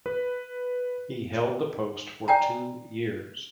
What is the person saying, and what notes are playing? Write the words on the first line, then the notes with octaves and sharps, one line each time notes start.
He held the post for two years.
B4
D5 G5 G#5 A#5